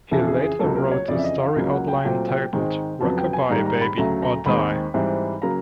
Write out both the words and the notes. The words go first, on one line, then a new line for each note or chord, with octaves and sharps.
He later wrote a story outline titled Rock-A-Bye Baby, or Die!
F2 C#3 E3 A4
G#4
G#4
C#2 C#3 F#3 A#3 A4
A#4
C#5
F2 C#3 E3 D5
E5
D#5
F5
C#2 C#3 F#3 A#3 F5
F#5
G5
A#2 F#3 A3 C4 G5
G5
G#2 D#3 G#3 C4
F2 C#3 F#3 B3 A5
G5
G#5
G#2 D#3 G3 A#3 A#5
A#5
B5
D2 C#3 F#3 A3 A#5
A#5
D#2 D#3 G#3 C4 B5
G#2 E3 G3 C4
C#3 F#3 A#3 A#5